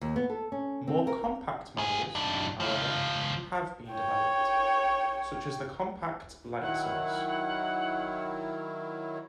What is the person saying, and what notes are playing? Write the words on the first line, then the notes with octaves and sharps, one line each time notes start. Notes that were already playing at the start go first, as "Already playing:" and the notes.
More compact models, however, have been developed, such as the Compact Light Source.
D#2
B3
A4
C#4
C4
A#4
F3 G#4
B1 D4
C#2 F3
C#5 G5
D#3 F#3 E4 F#5